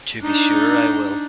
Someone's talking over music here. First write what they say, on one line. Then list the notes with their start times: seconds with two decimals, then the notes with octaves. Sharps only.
To be sure I will.
0.22 D4 D#4